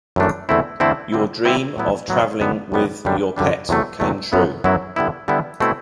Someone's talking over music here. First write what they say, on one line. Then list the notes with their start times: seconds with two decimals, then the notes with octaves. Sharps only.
Your dream of traveling with your pet came true!
0.16 F#2 E3 A3 D4
0.49 E2 D3 A3 C4 E4
0.80 E2 D3 A3 C4 E4
1.12 D3 G3 C4 E4
1.45 D3 G3 C4 E4
1.77 A2 F#3 B3 E4
2.08 A2 F#3 B3 E4
2.40 F#2 D3 G3 B3
2.72 F#2 D3 G3 B3
3.05 F#2 D3 G3 D4
3.36 F#2 D3 G3 D4
3.69 E2 C3 F#3 A3
4.00 E2 C3 F#3 A3
4.32 F#2 F#3 B3 E4
4.64 F#2 F#3 B3 E4
4.96 D3 G3 B3 E4
5.28 D3 G3 B3 E4
5.60 B2 A3 C4 E4